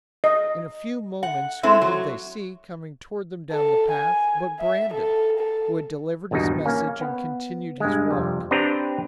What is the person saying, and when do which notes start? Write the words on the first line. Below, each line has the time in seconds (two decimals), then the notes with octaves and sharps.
In a few moments whom did they see, coming toward them down the path, but Brandon, who had delivered his message and continued his walk.
0.24 D#5
1.23 F#5
1.63 G#3 A3 C4 E4
1.81 F#3
3.52 A4
3.91 G#5
4.60 E5
4.93 A4
5.39 A4
6.31 G#1 E2 G2 B2 D#4
6.65 A#3 C#4
7.01 B3
7.80 G2 G#3
8.11 F2 C3 G3
8.51 C4 D4 G4 B4 G5 A#5